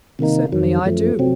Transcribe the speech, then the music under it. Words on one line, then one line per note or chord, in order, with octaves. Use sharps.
"Certainly I do."
C3 D#3 A#3 D#4
F2 D#3 F#3
F#2 F3 A3
C3 F#3 C4